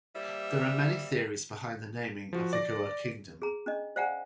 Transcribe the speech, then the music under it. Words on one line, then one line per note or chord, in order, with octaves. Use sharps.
There are many theories behind the naming of the Gour kingdom.
G3 A#3 C5 E5
F3 F#4
D5 A#6
G#4 A#5
C#4 D4 D#5
C5 D5 F5 F#5 G#5 A#5